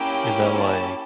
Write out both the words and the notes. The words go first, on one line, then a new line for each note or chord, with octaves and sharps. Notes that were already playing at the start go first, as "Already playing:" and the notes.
Is that, like,
Already playing: A#3 C#4 E4 G4 G5
A5